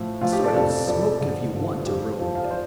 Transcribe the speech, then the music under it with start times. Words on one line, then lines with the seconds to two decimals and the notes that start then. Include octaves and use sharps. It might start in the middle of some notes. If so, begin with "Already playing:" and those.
A sort of 'smoke-if-you-want-to' road.
Already playing: A2 F3
0.21 A2 F3 F4
0.33 G4
0.44 A4 D5
0.54 F2 C3 F3 A4 D5
0.87 F2 C3 F3 A4 D5
1.20 G2 D3 F3
1.52 G2 D3 F3
1.86 F2 F3 G4
2.18 F2 F3
2.35 F5
2.43 D5
2.51 F3 C5